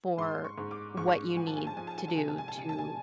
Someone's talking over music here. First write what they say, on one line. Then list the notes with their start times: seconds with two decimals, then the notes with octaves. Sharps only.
for what you need to do to
0.18 G#2 C6
0.44 C#6
0.58 G#2
0.71 D6
0.97 G#2 C#6
1.36 F3 G#5
1.47 A5
1.57 G#5
1.67 A5
1.77 F3 G#5
1.87 A5
1.98 G#5
2.08 A5
2.16 C3 G#5
2.28 A5
2.38 G#5
2.48 A5
2.56 C3 G#5
2.69 A5
2.78 G#5